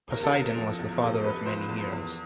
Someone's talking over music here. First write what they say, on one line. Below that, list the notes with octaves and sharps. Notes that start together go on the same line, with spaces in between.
Poseidon was the father of many heroes.
E2 A#4
A4
C3 A#4
F3
E2
E2 A4
C3 B4
F3 C5
E2
E2